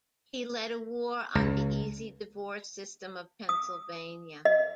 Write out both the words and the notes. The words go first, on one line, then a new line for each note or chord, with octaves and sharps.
He led a war on the easy divorce system of Pennsylvania.
C#2
D#6
D#5